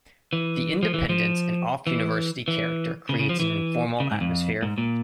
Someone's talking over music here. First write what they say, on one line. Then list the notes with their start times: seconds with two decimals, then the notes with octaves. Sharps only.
The independence and off-university-character creates an informal atmosphere.
0.33 E3
0.83 F3
0.94 E3
1.09 F3
1.87 E3
2.48 E3
3.09 C#3
3.19 C#3
3.29 F3
3.40 E3
4.00 C#3
4.11 G#2
4.21 F2
4.62 G#2
4.78 A#2